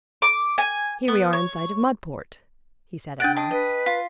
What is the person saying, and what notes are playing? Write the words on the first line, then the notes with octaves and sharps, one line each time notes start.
"Here we are in sight of Mudport," he said at last.
D6
G#5
B3
C#5
D4 F#5 G5 A6 D7
D#5 G5 A5
B4 D#5
F4 B6